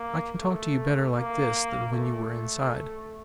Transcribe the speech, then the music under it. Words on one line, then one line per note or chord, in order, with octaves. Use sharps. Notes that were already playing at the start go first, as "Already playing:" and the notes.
I can talk to you better like this than when you were inside...
Already playing: A#3
A3
A#3
A3